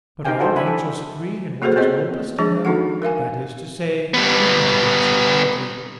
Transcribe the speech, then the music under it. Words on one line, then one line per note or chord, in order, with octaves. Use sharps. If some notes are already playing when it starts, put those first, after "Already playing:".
But all angels agree in what is noblest in them--that is to say, in intellectuality.
D#4 G4 A#4 F5 G5 G#5
E4 F#4 A4 C5
D4 E5 G#5 B5
A4
A#3 F#4 G#4 A4 C5 C#5
B3 C4 F4 G#4 C#5 D#5
F3 G#3 D4 G#4 C#5
D#3 D#4 F#4 A4 F#5
A#4 E5 F5 G#5
G3 B3